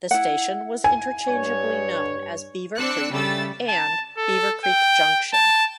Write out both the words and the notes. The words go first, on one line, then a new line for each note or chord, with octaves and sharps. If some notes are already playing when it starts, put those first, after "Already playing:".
The station was interchangeably known as "Beaver Creek" and "Beaver Creek Junction".
E4 F#5
G#5
G2 C#5
C4 D4 E6 F#6 C#7
C#3 G3 A3 E6 A6
A5
A4
G5
A5